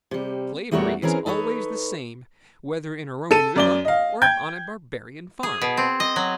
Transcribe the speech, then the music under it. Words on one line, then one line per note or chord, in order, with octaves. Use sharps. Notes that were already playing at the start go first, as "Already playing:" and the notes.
Slavery is always the same, whether in a Roman villa or on a Barbarian farm.
C3 G3
E2 G3 A3 F#4 A#4 C#5
E3 C4 C#4 G#4 A#4
D#4 A4 B4 C#5
A4 D#7
F#2 D5 G7
D#5 F5
G5 G6 G#6
G#4
B2
C4
D#5
F#3